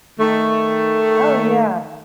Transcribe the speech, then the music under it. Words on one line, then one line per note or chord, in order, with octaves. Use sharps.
Oh, yeah.
D#3 A3